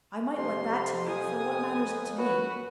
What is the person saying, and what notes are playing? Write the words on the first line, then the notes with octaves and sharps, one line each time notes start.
I might let that to you, for what matters it to me?
F2 C3 C6
G#5 D#6
F#2 F#4 B4